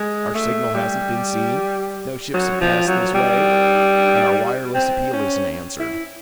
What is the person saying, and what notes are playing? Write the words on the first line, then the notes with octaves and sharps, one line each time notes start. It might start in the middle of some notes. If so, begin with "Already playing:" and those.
Our signal hasn't been seen, no ships have passed this way, and our wireless appeal isn't answered.
Already playing: G#3
A3
G3
F#3
F3
F#3
G3
C4
C#4
E4